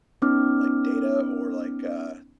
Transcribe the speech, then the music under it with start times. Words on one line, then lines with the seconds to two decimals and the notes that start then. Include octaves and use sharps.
like, data or, like, uh,
0.22 B3 C#4 D#4 D6 F6